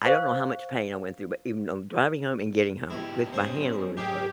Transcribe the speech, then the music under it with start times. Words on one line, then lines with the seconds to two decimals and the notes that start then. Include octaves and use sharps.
I don't know how much pain I went through, but even though, I'm driving home and getting home, 'cause my hand literally froze.
0.03 C5 F5 C#6
2.90 G#3 B3 E4 G4
3.33 F#3 C#4 G#4 C5
3.97 G#2 G4 G#4